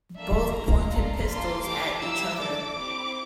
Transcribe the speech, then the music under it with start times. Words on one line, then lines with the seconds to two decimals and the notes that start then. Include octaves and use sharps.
Both pointed pistols at each other.
0.16 A#3 D4 F4 A4 E5
0.53 A#3 E4 G4 A#5
0.90 A#3 D4 F4 A4
1.27 A#3 F4 A4 C6
1.64 A3 E4 G4 D6
2.02 A#3 E4 G4 E6
2.38 A3 D4 A4 D6
2.76 C4 E4 G4